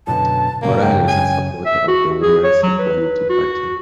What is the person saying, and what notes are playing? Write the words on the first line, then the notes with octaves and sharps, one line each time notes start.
Moran is a supporter of the Women's Equality Party.
F#2 B2 D3 A5
A#2 C#3 G3 A#3
F#2 C#3 C#5 G5
G#5
E5
F#4
G#4
C#5
F#3
B4
F#4